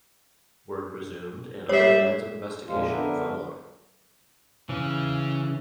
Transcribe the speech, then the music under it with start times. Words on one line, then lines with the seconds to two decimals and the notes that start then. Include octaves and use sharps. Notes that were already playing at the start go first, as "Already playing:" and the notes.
Work resumed and other lines of investigation were followed.
1.69 G3 C#5 E5 C7
2.67 F2 A#2 F3 G#3 A#3 F4
2.88 D3 B3 D4 A#4 E5
4.69 C#3 E3 C#4